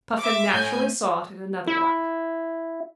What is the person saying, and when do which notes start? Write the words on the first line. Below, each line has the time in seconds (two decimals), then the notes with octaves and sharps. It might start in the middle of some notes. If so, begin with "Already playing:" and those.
Puffin naturally saw it in another light.
0.18 E5 D6
0.52 A2 G#5 G6
1.67 E4